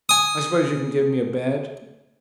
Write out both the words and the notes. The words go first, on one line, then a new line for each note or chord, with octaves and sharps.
I suppose you can give me a bed.'
G#5 D#6